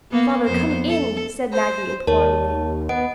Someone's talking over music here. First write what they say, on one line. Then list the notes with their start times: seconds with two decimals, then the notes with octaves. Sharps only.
"Father, come in!" said Maggie, imploringly.
0.11 A#3 B3
0.44 F2 B3 C5
0.88 A4
1.53 C5
2.07 D#2 A#4 C#5 A5
2.89 B3 D#5 F#5 D7